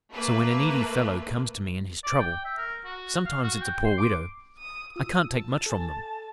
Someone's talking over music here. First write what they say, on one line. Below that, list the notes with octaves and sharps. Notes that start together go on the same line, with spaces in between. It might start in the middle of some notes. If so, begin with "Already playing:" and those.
So when a needy fellow comes to me in his trouble--sometimes it's a poor widow--I can't take much from them.
A3 A#3 B4
D5
G5
E5
A#4
F#4
F5
F#4
G5
C6
D6
D#6
F4 D#6 E6
A5
A4 G#5